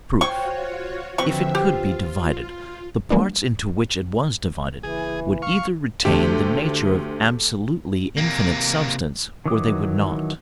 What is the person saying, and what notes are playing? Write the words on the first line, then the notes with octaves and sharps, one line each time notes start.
Proof.--If it could be divided, the parts into which it was divided would either retain the nature of absolutely infinite substance, or they would not.
F4 F#4 C5 C#5 G5 G#5 C#6
D3 F3 F#3 C4 B4 E5 C#6
F4 G4
F#3 G#3 A#3 B3 D4
F#1 E3 G#4
F5 C#6
D2 A3 D4 G4 A4
C3 A#3
D#3 E3 F#3 D6 D#6